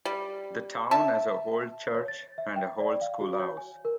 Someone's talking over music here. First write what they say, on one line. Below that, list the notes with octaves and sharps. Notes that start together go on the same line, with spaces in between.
The town has an old church and an old schoolhouse.
G3
E5 A5
C#5
A6
E5
G5
D5
F5
F#4
C#5
G#5
A#4